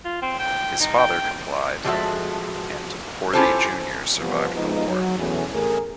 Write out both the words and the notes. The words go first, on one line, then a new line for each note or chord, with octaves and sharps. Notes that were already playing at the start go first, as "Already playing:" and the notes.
His father complied, and Horthy Junior survived the war.
F4
C4
G5
D#4
G5
F3 G3 G#3 F#4 A4 E5
C#4 E4 F4 G4 A4 C5
C3 E3 F3 G3 B3
F3 G#3 B3 D#4
F#3
E2 B2 E3 A3 C#4
A1 A3 G#4 A#4